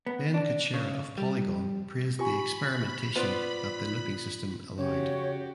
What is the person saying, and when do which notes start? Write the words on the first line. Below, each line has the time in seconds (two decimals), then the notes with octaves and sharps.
Ben Kuchera of "Polygon" praised the experimentation that the looping system allowed.
0.06 B3
0.34 D4
0.74 C#3
1.18 G3
2.19 F4 G4 G#5 B5 C#6
3.16 B3 F4 C5 D5 C6
4.78 C#3 C#4 F#4 G4 C#5